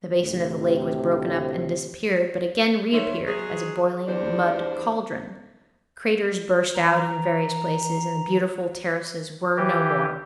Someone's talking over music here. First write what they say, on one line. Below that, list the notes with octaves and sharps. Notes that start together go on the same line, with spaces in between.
The basin of the lake was broken up and disappeared, but again reappeared as a boiling mud cauldron; craters burst out in various places, and the beautiful terraces were no more.
D2 A2 C3
D#3 C5 C#5 E5
F#3 G#3 G#4
E2 G3 D4 C5 D5
E3 A#5
E3 G4